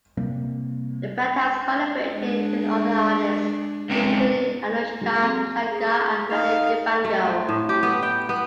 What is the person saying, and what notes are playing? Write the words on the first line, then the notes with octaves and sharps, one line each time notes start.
The band has collaborated with other artists, including Anoushka Shankar and Manu Dibango.
C3 G3 A#3
G#3 D4
C#2 C3
F#3 G#3 A#3
C4 A4
G#4
D#4 F5
A3
C4
A2
G4
B3
G5
B3